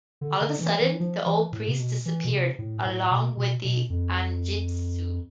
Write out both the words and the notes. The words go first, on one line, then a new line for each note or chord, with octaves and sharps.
All of a sudden the old priest disappeared along with the "anjitsu".
D3
D3
E3
E3
F3
E3
A2
C3
B2
E3
B2
C3
A2
A2
B2
B2
B2
F2